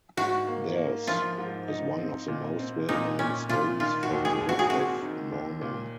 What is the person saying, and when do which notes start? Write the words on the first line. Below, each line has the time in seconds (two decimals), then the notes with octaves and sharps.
Theirs is one of the most well-known stories from the Book of Mormon.
0.17 G#2 F#4
0.47 A#3
0.77 A#3
1.07 F3 F4
1.38 G#2
1.68 D#4
1.99 C4
2.28 A#2
2.59 C4
2.89 A#2 D#4
3.19 A#2 C#4
3.49 A#2 F4
3.80 D#3 F4
4.03 F#4
4.10 D#2
4.25 G#4
4.40 D#2
4.49 F#4
4.59 G#4
4.70 C4 F#4
5.02 D#3
5.32 D#2
5.62 A#2